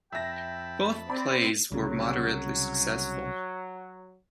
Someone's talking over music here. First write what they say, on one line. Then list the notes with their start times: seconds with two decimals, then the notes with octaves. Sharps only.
Both plays were moderately successful.
0.12 F2 E5 G5 A5 B5 A#6
1.10 C4 D5 B5
1.72 C2 C#3 F#3